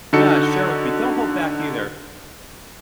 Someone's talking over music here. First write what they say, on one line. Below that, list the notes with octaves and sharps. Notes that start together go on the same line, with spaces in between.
yeah, share with me. Don't hold back either.
D3 D#4 F#4 A4 C#7